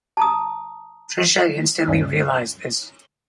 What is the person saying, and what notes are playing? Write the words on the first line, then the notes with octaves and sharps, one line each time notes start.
Tricia instantly realized this.
A5 A#5 D#6
D2 G2 A#2 F3 G#3 C#4